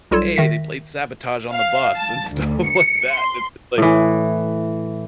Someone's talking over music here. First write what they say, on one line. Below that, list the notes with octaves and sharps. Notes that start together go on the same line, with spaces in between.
"Hey, they played Sabotage on the bus," and stuff like that, and, like,
B1 G3 F4 A4 G#6 E7
D#3 E5 A#6 B6
F5
A5
D2
C#7
C6
A2 E3